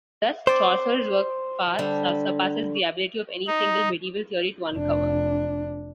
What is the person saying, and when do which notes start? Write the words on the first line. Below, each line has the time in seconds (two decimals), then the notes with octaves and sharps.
Thus Chaucer's work far surpasses the ability of any single medieval theory to uncover.
0.47 C4 C5 D5
1.79 D3 G3
3.47 D#4
4.73 F1 D4